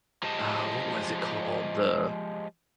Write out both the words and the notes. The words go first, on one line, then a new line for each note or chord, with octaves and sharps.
Uh, what was it called? The
F3 G#3 G4 D#5 A5